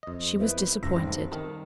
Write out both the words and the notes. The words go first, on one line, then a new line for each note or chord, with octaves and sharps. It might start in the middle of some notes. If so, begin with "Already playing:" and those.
She was disappointed.
F2 D#5
B3 E4 B4 C5
C#2 F#2 E4 E6 A#6
A1 G3 C4 D#4
D#3 A5